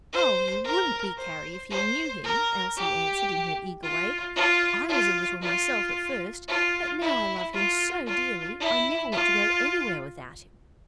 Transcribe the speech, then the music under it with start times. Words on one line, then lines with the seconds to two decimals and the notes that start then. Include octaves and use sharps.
"Oh! you wouldn't be, Carry, if you knew him," Elsie answered, in her eager way; "I was a little myself, at first, but now I love him so dearly, I never want to go anywhere without him."
0.12 C5
0.64 A#4
1.18 C5
1.70 C5
2.24 A#4
2.76 G4
3.83 F4
4.36 F4
4.89 F4
5.42 F4
6.48 F4
7.01 E4
7.53 F4
8.06 F4
8.60 E4
9.12 F4